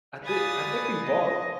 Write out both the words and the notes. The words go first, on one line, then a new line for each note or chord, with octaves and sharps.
I thi I think we bought
B4 D5 F5 G#5 D#6 A6
D#5